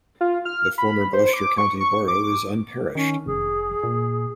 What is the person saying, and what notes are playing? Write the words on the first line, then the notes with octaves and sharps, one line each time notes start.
The former Gloucester County Borough is unparished.
F4
F6
B5
C5
D6
C#6
C#6
D6
D#3 C#4
F1 G#4
A#2